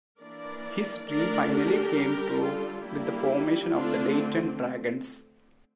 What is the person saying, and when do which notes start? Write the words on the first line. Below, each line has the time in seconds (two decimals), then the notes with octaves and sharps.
His dream finally came true with the formation of the Dayton Dragons.
0.21 E3 A#3 D4 A#4 D5
1.09 D3 A3 D4 A#4 D5
1.53 G4 A#4
1.98 D3 G3 D4
2.42 F4 A4
2.85 G3 A#3 D4 E4 G4
3.73 D3 A3 C4 D4 F4